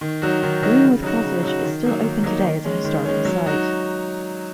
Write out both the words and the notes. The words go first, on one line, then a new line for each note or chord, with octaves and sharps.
Greenwith Cottage is still open today as a historical site.
D#3
F#3 D#4 F#4
D#3
F#3 D#4 F#4
C#3
F#3 D#4 F#4
C#3
F#3 D#4 F#4
D#3
F#3 A#3 D#4
D#3
F#3 A#3 D#4
D#3
G#3 C#4
D#3
G#3 C#4
F#3
D#4 F#4